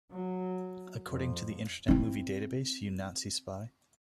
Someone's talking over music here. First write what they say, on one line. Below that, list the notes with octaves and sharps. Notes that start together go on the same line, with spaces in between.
According to the Internet Movie Database, You Nazty Spy!
F#3
F2
C4 E4